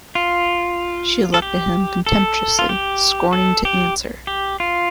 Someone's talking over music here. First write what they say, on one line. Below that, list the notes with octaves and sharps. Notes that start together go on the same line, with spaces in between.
She looked at him contemptuously, scorning to answer.
F4
A4
G4
A4
F4
G4
A4
G4
G4
F4